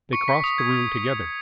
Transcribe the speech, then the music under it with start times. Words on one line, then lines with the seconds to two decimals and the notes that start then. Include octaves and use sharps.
They crossed the room together.
0.13 C#6 C#7
0.28 B6
0.44 D#6
0.58 G#6